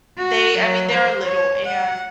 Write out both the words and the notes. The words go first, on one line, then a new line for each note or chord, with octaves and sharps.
they I mean, they're little and
F#4
F#3
C5
C#5
F#5